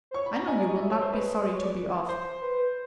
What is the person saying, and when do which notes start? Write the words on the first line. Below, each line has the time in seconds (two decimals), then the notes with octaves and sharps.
I know you will not be sorry to be off.
0.11 C5
0.14 C#5 C#6
0.26 B5
0.32 D5
0.36 A#5
0.47 D#5 G#5
0.57 D5
0.69 D#5
0.79 E5
0.90 C#5
1.02 C5
1.12 B4 D#5
1.44 D5
1.54 C#5
1.64 D5
2.09 C5
2.42 B4